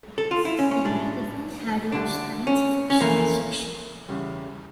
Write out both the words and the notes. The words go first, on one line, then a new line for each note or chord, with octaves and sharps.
The magazine had a science fiction section.
A4
F4
E4
C#4
C#4
A2 G3 D4
D2 D3 G3 D4
C#4
C#4
F2 E3 A3 A#3
E2 C#3 G3